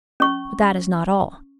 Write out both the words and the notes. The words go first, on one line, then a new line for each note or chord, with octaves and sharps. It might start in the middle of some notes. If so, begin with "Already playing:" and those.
But that is not all.
C#4 C#6